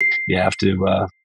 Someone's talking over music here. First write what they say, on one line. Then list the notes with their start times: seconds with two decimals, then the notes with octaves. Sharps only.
You have to, uh,
0.01 C7